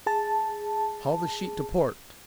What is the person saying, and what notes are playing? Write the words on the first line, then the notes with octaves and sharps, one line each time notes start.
"Haul the sheet to port!"
G#4 A5